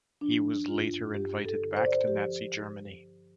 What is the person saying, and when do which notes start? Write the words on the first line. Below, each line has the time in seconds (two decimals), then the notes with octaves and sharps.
He was later invited back to Nazi Germany.
0.21 F3 D4
0.67 G2 F4
1.14 G2 G4
1.45 A4
1.61 D3
1.77 C5
1.86 D5
1.94 C5
2.08 F3 G4